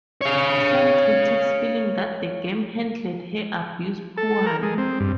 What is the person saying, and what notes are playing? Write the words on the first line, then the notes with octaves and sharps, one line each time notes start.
Some critics feeling that the game handled her abuse poorly.
C#5 F5
A4
A#4
G#3
C4
G2